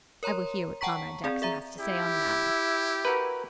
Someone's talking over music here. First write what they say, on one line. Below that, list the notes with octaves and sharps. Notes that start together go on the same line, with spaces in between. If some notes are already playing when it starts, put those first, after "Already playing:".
I will hear what Comrade Jackson has to say on the matter.
A#4 C#5 A#5 C6
F#5 G5 A5 A#5 C#6 B6
C4 G#4 D5
G#4 E5 A#5
E4 G4
F#4 A#4 B4